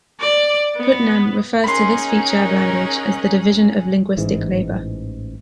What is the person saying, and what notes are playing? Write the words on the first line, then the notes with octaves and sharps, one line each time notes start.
Putnam refers to this feature of language as "the division of linguistic labor".
D5
B3
C#4 D#4 G#4 A#4 F#5 B5 C6
A1 G#2 E3